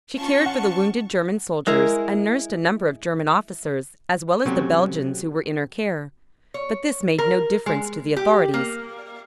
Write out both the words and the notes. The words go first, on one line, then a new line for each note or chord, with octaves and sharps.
She cared for the wounded German soldiers and nursed a number of German officers, as well as the Belgians who were in her care, but this made no difference to the authorities.
C#4 F4 A5 C#6
F#5
G#3 E4 A#4
C3 F#3 A3 C4 C#4
C#5
A#4
G#3
G4
A#3